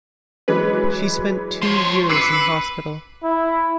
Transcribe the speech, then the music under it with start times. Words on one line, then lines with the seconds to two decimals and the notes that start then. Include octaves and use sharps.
She spent two years in hospital.
0.48 E3 F#3 G#3 B4
1.62 F3 C#5 C6
2.10 B4 D6 E6 C7 C#7
3.24 E4